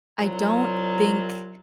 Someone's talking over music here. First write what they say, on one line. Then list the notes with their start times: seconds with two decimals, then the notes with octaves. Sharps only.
I don't think
0.19 C2 F#3 F4